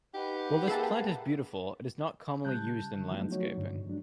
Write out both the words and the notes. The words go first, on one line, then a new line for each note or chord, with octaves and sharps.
While this plant is beautiful, it is not commonly used in landscaping.
D#4 G4 B4 F#5
A#3 G#4 E5 A5
C#3 G3 A5 F#6 G6
D3
F3 F#3 G#3 A3 B3 D#4
F3 F#3 A3 D#4 F#4 C#5
G2 D3 D4
F3 F#3 G#3 D4